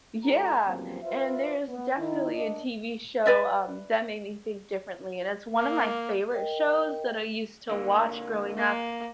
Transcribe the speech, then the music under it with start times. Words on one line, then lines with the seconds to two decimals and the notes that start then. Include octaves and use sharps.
Yeah. And there's definitely a TV show, um, that made me think differently, and it's one of my favorite shows that I used to watch growing up.
0.24 G#3 F#4 A4 A#5
0.67 G2 C#3 F3 F#3 A#3 C4
1.02 F4 B4 C5 E5
1.68 B3
1.98 D#3 D#4 E4
2.34 A#3 D4 D5 D#5
3.26 B4 D5 E5
5.51 A#3
6.32 A#4 D#5 G5
7.70 D3 A#3
8.57 A#3